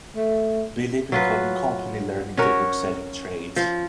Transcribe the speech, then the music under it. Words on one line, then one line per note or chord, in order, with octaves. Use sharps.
B. Lippincott and Company, learning the bookselling trade.
A3
F#3 F4 B4
C#4 F#4 A#4 C#5
F3